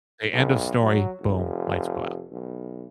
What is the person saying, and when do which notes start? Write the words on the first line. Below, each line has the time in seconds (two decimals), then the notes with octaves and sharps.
Say, end of story, boom, lights go out.
0.33 B1
0.82 F#3
1.20 F1
2.32 B1